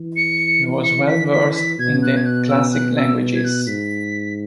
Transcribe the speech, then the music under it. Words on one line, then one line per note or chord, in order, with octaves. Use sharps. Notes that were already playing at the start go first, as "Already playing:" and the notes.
He was well versed in the classic languages.
Already playing: E3
C#7
C#7
B6
B6
B6
B2 G#6
F#6
G#6
F#6
E6
F#6
E6
G#6
F#6
G#2 B6